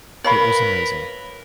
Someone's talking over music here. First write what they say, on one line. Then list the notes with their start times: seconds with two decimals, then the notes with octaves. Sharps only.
It was amazing.
0.24 A#4 B4 C#5 F5 B5